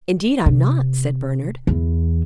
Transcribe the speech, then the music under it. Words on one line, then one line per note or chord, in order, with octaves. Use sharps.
"Indeed I'm not," said Bernard.
C3
E2